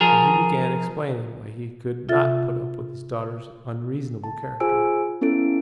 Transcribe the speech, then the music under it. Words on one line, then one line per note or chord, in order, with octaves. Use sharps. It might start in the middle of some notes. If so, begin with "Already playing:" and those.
And he began explaining why he could not put up with his daughter's unreasonable character.
F3 G#4 A#4
C3 F4 A4 E5 F6 A6
A5
F4 G#4 C5 G#5 E6 D7
B3 C#4 E4 A4 D7